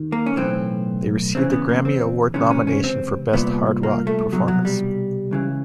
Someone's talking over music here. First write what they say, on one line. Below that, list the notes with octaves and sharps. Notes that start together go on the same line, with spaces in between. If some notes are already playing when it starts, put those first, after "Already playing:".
They received a Grammy Award nomination for Best Hard Rock Performance.
Already playing: D#2 D#3
A#3
C#4
B1 A2 E3 C4
E2 C#3 E3 C4
B3
A#3
C4
C#2 C3 E3 C#4
C#4
C#4
C4
C2 A#2 B3
A#3
A3
C2 B2 F#3
F#3
G3
C#2 C#3 E3